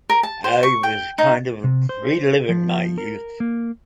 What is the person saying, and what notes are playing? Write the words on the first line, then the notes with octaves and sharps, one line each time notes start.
I was kind of reliving my youth.
A#4
A5
C5
C#6
G5
D#4
C3
C5
F3
A#4
A#3